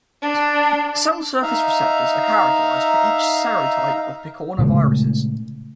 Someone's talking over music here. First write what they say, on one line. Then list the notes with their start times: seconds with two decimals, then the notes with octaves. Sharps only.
Cell surface receptors are characterized for each serotype of picornaviruses.
0.21 D4
1.43 D#4 E5 F5 A#5
4.58 A#2 C#3 G#3 A3